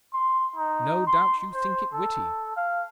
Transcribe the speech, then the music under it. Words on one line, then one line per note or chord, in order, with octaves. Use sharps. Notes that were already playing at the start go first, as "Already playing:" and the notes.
No doubt you think it witty!
C6
D#4
C6
C5
A4
F5